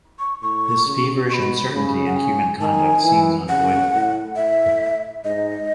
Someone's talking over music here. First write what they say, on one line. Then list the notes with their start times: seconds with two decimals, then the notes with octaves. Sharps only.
This feverish uncertainty in human conduct seems unavoidable.
0.19 C#6
0.42 A2 C#6
0.85 C#3
1.29 B2 B5 C#6
1.72 C#3
2.06 F#5
2.17 G#5
2.60 D#3 A5
2.65 G#5
3.04 E3
3.49 C#3 F#5
3.93 A2
4.36 A2 E5
5.24 G#2 D#5